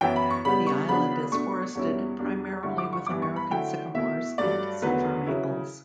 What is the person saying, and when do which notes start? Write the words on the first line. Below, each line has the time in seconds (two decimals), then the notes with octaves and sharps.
The island is forested primarily with American sycamores and silver maples.
0.01 F#2 E3 B3 E4 G5
0.16 B5
0.30 C#6
0.45 C#3 G3 B3 B5
0.66 C#6
0.89 C#3 F#3 B3 D4 B5
1.32 B2 A3 D4 C#6
1.75 E2 B2 G3 C#4 E4
2.19 E2 B2 G3 D4
2.63 G2 D3 A3 E4 C#6
2.78 D6
2.93 C#6
3.06 G2 E3 B3 E4 D6
3.22 C#6
3.36 B5
3.51 D3 F#3 A3 E4 G5
3.94 B2 A3 E4 E5
4.38 G2 F#3 A3 D5
4.82 E2 D3 F#3 A3 B4
5.26 C#3 F#3 C#4 E4